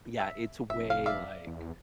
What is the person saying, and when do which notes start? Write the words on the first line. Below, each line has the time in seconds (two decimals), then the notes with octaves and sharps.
Yeah, it's way like
0.20 E5
0.70 F1 E5
0.90 F5
1.06 D5 E5 F5
1.47 E2